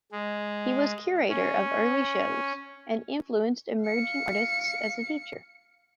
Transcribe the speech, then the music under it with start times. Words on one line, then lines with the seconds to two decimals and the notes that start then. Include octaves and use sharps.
He was curator of early shows, and influenced emerging artists as a teacher.
0.12 G#3
1.29 C#4
3.84 F5 C#7